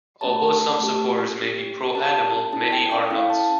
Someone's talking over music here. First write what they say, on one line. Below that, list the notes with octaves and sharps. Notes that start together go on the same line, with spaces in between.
Although some supporters may be pro-animal, many are not.
A3 C#4 G4 A5
A3 C#4 G4
C#4 G4
C#4 G4 A5
C#4 E4 A4 A5
G5
G5
C#4 E4 A4 F5
A5